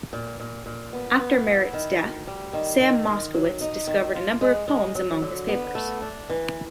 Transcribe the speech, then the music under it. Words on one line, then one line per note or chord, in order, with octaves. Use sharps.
After Merritt's death, Sam Moskowitz discovered a number of poems among his papers.
A#2
A#2
A#2
B3
B3
E4
D#3
D2
G3
D#3
D#3
D#3
F#3
D#4
D#3
F4
G#3
G#3
F#3
D3
B3
A3
D4
E3